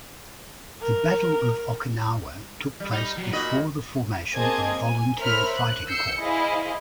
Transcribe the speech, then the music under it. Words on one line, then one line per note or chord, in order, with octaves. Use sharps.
The Battle of Okinawa took place before the formation of Volunteer Fighting Corps.
A#4
G3
D#4
F#3 G3
A#2 F#4 D#5 B5
A#3 C4 G#4 D#5 A5 G#6
G#5
A#4 C5 C#5 E5 B5 F6
F#6
E6 G6 C7 C#7
E4 G#4 C5 D#5 F5